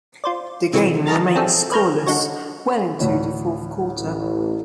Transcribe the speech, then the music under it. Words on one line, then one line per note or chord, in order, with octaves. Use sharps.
The game remained scoreless well into the fourth quarter.
F4 C5 D5
C3 E3 F#3 A3
D#5 A5 A#5 F6 A6
F#3 C4 D4 G#4 A4 E5
B4 C#5 F5 A#5 F6 G6
D3 D#4 F#4 C#5
D2 A2 C#5
A1